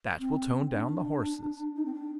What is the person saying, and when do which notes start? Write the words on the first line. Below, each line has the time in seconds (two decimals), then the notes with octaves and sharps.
That will tone down the horses.
0.19 C4
0.71 D4
1.76 D#4
1.85 C4
1.94 D4